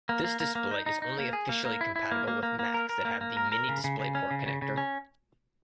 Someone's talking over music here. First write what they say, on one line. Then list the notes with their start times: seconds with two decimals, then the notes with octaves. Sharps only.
This display is only officially compatible with Macs that have the Mini DisplayPort connector.
0.09 A#3
0.24 A#3
0.40 A#3
0.55 A#3
0.71 D#4
0.86 D#4
1.02 D#4
1.19 A#3
1.33 G#4
1.49 A#3
1.65 A#3
1.81 E4
1.96 E4
2.11 A#3
2.28 A#3
2.43 A#3
2.59 A#3
2.74 A#4
2.89 A#4
3.05 A#3
3.21 A#3
3.37 A#4
3.52 A#4
3.69 C#3
3.84 C#3
3.99 C#3
4.15 C#4
4.31 C#3
4.46 C#3
4.62 C#3
4.78 C#4